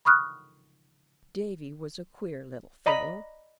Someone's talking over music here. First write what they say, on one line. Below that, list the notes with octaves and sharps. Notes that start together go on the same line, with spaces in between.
Davy was a queer little fellow.
B5 C#6 D#6 F6 F#6
D5 D#5 A#5 B5